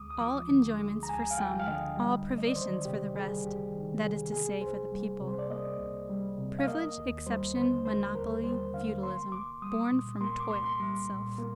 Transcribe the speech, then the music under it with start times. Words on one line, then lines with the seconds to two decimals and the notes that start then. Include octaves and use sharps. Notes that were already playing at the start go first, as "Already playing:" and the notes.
All enjoyments for some, all privations for the rest, that is to say, for the people; privilege, exception, monopoly, feudalism, born from toil itself.
Already playing: D2 G#3 D6 D#6
0.10 D#6
0.21 F3 D6
0.49 D3
0.79 G#3
1.03 A#5
1.08 D2 G#5
1.31 F5
1.38 F3 G5
1.59 F5
1.67 D3 D#5
1.97 G3
2.26 C2
2.38 D#5
2.47 D5
2.56 D#3 C5
2.85 C3 G4
3.14 G3 G#4
3.44 C2 G4
3.73 D#3
4.03 C3 G#4
4.32 A#3 G#4
4.61 C2 C5
4.92 G3
5.21 C3
5.28 C5
5.39 D5
5.50 A#3 D#5
5.79 C2
6.10 G3
6.38 C3
6.59 F5
6.67 A#3 D#5
6.98 D#2
7.27 G3 C5
7.56 D3 C5
7.85 A#3 C5
8.15 D#2 A#4
8.44 G3 C5
8.74 D3 F5
9.03 A#3 C6
9.32 C2 D6
9.62 G3 D#6
9.92 A#2
10.21 A#3 C6
10.40 D6
10.50 C2 C6
10.66 C6
10.80 G3
11.09 A#2
11.39 A#3